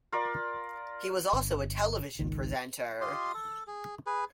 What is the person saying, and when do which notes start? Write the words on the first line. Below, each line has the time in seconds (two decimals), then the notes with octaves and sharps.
He was also a television presenter.
0.12 F4 A#4 D5
1.33 G1
2.19 G#1 C#2 D#3
3.01 F4 G4 D#5 C6
3.34 A4
3.67 G#4
4.06 G#4 B4